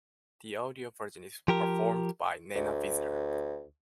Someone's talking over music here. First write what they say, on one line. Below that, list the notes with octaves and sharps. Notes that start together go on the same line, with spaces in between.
The audio version is performed by Nana Visitor.
F3 G4 A#4
D2